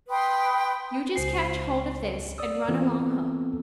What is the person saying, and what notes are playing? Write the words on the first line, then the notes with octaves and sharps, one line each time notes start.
You just catch hold of this and run along home.
B4 G5 C6 D#6
C#2 C5 G#5 C7
D5 D#6 E6
E3 B3 C4 F4 A4